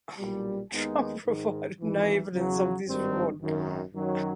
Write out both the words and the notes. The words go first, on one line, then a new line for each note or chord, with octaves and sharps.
Trump provided no evidence of this fraud.
B1 A#2 G3
D#2 D#3 G#3 B3 D#4
G#2 D#3 G#3
G#1 G#2 E3
E2 C#3 F#3
G#1 G2 D#3 G3 C4
G#1 F#2 D#3
F#2 D#3 F#3